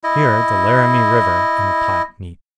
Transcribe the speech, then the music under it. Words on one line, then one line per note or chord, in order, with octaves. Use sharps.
Here the Laramie River and the Platte meet.
E4 D#5